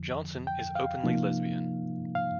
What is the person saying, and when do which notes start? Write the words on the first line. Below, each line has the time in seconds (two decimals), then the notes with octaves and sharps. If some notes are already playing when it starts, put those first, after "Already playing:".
Johnson is openly lesbian.
Already playing: F2 D3 F3
0.47 G5
0.75 F5
1.04 C3 F3 A#3 D#4
2.15 F5